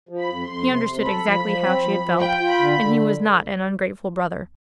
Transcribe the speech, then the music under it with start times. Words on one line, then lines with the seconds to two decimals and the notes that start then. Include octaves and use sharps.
He understood exactly how she had felt, and he was not an ungrateful brother.
0.09 F3
0.19 B5
0.28 F2
0.48 F2 C6
0.67 C3
0.86 C3
1.05 A4 B5
1.25 F3
1.44 F3
1.63 C4
1.83 F3
2.02 F3
2.21 F4 G5
2.40 F4
2.49 B5
2.59 D3
2.79 D3